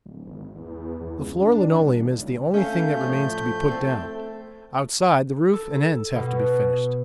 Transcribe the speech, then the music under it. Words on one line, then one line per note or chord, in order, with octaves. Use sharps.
The floor linoleum is the only thing that remains to be put down; outside, the roof and ends have to be finished.
D1
G#1
E2
E2
C#2
D4
D#1
C#2
A3 C#4 F5 G6
A2 F3
C4 A4
A4
B2